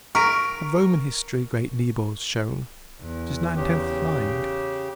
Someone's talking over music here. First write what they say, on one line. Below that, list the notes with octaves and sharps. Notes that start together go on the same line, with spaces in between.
Of Roman history, great Niebuhr's shown 'Tis nine-tenths lying.
A#4 C#6 B6 D7
E2
C#3 G4